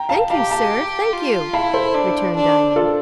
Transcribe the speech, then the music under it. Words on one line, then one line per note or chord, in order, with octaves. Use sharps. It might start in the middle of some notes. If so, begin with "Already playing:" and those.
"Thank you, sir, thank you," returned Diamond.
Already playing: G5 A#5
F5 A5
G4 F5 A5
F5 A5
F4
E4 F5 A5
A4 C5
D4
D4
F4 A4